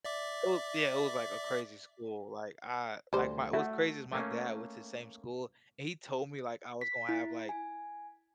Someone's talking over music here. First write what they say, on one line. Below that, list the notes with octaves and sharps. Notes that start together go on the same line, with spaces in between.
it was Yeah, it was, like, a crazy school. Like, I like, my what's crazy is my dad went to same school, and he told me, like, I was gonna have, like,
D5 E5 D6
D2 G3 C5
A3 E4 F#4
A3 A#3 C#4
B6
E4
G#5